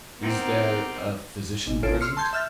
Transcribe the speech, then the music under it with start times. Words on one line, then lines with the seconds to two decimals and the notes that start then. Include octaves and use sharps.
"Is there a physician present?"
0.22 B3 C4 D#4 G4 A#4
1.67 G#1
1.83 A1 C#3 F4 A4 D7
2.01 C6 E6 F6 C7 C#7
2.17 A5 C6 G6 G#6
2.33 E5 E6 F6 G6 A6